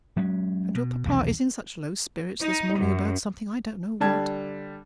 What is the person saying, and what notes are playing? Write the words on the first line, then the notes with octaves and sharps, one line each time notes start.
And your papa is in such low spirits this morning about something--I don't know what.
F#3 G#3 C#4
B2
B1 E2 C3 D#3
D#4
F#2
D3 G3 A5 G#6